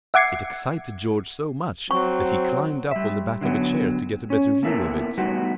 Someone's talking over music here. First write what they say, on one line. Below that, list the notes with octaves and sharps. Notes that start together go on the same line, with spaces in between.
It excited George so much that he climbed up on the back of a chair to get a better view of it.
E5 F#5 D6 G#6 C7 C#7
F#3 C4 C#6
G3 E5
D3 F#3 B3
C#4
A#3 B3 E4 A4 A#4
G3 A3 B3 D#4 F#4